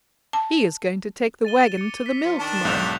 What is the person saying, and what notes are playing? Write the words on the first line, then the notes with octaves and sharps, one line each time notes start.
He is going to take the wagon to the mill tomorrow!
A5
A6 D#7 G7
D6 C#7
B6
F3
D#3 D4 A5
B1 G#2 F#6 G6 F7